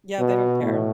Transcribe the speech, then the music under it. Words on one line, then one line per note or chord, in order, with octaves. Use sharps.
Yeah, they don't care.
B2
A2